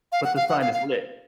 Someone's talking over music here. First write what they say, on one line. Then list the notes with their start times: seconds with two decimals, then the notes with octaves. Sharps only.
But the sign is lit?
0.12 F5
0.24 F#5
0.36 F5
0.49 F#5
0.61 F5
0.74 F5